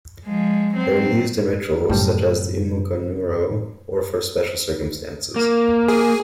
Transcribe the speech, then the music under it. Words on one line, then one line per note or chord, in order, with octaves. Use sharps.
They were used in rituals, such as the "umuganuro", or for special circumstances.
F3 G#3
F#3 C4
F#2 A2 C#3 G3
A#3
G#4